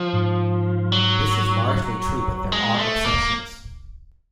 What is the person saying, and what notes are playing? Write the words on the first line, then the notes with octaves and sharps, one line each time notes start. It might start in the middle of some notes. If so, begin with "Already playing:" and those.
This is largely true, but there are exceptions.
Already playing: F3
G#2
F#3
G#3
A3
A#3